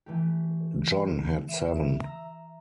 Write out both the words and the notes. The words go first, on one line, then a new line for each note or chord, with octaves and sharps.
John had seven.
E3 A3 G4
E5
A#5 E6